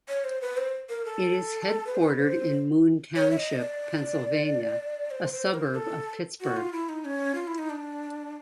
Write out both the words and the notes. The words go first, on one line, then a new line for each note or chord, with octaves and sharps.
It is headquartered in Moon Township, Pennsylvania, a suburb of Pittsburgh.
C#5
C5
B4
C5
A#4
A4
B4
C5
B4
C5
C#5
E5
D#5
D5
C5
C5
A#4
A4
F#4
F4
E4
D#4
C#4
F4
E4
D#4
D4